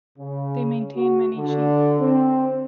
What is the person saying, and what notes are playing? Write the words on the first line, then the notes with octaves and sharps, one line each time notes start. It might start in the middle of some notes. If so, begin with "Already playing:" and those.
They maintain many sheep.
C#3
F#4
D3
C4